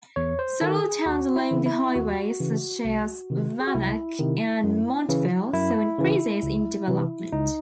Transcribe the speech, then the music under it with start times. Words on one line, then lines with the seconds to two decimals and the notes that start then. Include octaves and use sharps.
Several towns along the highway, such as Wanaque and Montville, saw increases in development.
0.16 E2 C#5
0.39 C5
0.61 D#3 A4
0.84 G#4
1.06 D#2 F#4
1.36 E4
1.51 C#3 E3
1.66 E4
1.95 D#2 F#4
2.40 C#3 E3
2.85 C2
3.30 C3 D#3
3.60 G#4
3.67 F#4
3.74 C2 E4
4.19 C3 D#3
4.64 F#2
5.09 C#3 E3
5.53 F#2 E4
5.98 C#3 E3
6.43 C#2
6.88 C3 E3
7.32 C#2 D#4